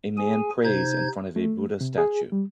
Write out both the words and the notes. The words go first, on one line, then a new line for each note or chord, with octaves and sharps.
A man prays in front of a Buddha statue.
G#4 G#5
C3 D#4 C5 G6 G#6
A3
C3
G#4
G3